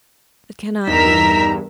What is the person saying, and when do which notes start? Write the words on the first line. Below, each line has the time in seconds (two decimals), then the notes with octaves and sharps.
It cannot be.
0.88 E2 G2 D#4 A#4 A#5 E6 B6